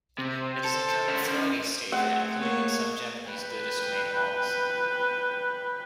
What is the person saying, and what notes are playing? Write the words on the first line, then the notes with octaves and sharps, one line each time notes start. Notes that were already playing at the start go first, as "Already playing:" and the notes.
It is encountered throughout East Asia, including in some Japanese Buddhist Main Halls.
C3 C5
A4
C#4 E5
A3 C4 G#4 F#5
A#3 C#5
B4 G5